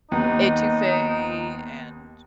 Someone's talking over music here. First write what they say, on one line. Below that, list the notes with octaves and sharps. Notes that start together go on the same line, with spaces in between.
etouffée, and
D#2 B3 D#4